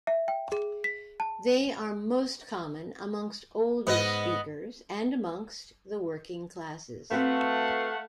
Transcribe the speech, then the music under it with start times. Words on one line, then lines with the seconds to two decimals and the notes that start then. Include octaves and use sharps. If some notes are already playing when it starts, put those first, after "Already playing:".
They are most common amongst older speakers and amongst the working classes.
0.07 E5
0.28 G5
0.52 G#4
0.84 B6
1.20 A5
3.87 G#2 B3 B4 D#5
7.11 A3 C4 F#4 B4 F5 F#5